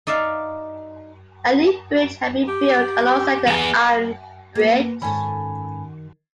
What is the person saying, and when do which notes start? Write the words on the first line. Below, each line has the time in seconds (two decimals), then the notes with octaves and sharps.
A new bridge had been built alongside the iron bridge.
0.07 D#4 D5 E5 F5
2.48 G4
3.47 B3 G#4
4.55 A#3 B3
5.02 G#2 D#3 C#4 A4 G#5 B5